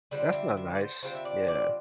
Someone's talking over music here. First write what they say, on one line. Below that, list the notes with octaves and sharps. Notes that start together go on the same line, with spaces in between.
That's not nice. Yeah.
D3 G3 C4 F4 D5
E5
E5
D5
C5
D3 G3 C4 F4 C5
E5
D5
D5